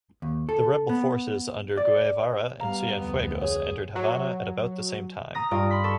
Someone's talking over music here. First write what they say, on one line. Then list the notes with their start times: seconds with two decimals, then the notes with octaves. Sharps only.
The rebel forces under Guevara and Cienfuegos entered Havana at about the same time.
0.22 D#2
0.49 A4
0.89 B3
1.77 D5
2.61 G3 B3 F5 A#5
2.96 F1 D2 B3
3.42 G#4 C#5
3.96 F#3
5.35 A#5 D#6 A#6
5.51 G2 D#4 F4 D5 D#6
5.70 B5 C6 B6
5.84 A4 C#6 E7